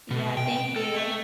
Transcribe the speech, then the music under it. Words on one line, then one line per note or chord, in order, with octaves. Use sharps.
Yeah, thank you.
B2
G5
A4
A3